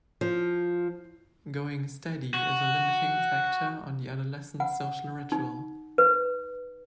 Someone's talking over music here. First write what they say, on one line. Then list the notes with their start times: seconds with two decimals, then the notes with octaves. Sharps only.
Going steady is a limiting factor on the adolescent social ritual.
0.21 F3
2.34 F#4
4.60 F#5
5.32 D#4
5.98 B4